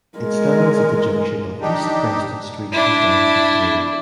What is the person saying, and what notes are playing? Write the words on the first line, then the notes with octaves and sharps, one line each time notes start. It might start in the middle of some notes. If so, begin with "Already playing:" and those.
It stands at the junction of East Preston Street and Dalkeith Road.
G#3 A#4
D4 D#4 G4
D4 E4